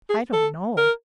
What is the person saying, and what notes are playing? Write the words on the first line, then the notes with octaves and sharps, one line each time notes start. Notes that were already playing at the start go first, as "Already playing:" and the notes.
"I don't know."
G#4
A4
A#4